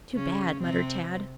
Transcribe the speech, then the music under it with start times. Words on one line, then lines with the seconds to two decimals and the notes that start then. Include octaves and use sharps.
"Too bad," muttered Tad.
0.14 C#3 C#4
0.62 C3 C4